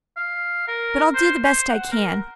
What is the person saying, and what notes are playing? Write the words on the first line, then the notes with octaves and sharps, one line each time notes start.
But I'll do the best I can.
F5
A#4
C5
C5
F#5
A#4